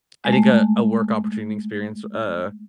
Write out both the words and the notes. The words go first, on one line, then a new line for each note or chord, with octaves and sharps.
I think a a work opportunity experience w uh,
G#3
A3